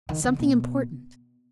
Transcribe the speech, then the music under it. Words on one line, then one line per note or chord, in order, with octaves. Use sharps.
"Something important."
D#3
D3
B2